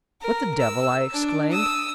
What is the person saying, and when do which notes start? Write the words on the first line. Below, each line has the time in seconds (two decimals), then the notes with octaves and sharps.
"What the devil!" I exclaimed.
0.21 A#4
0.60 E6
1.12 D4
1.51 D#6 E6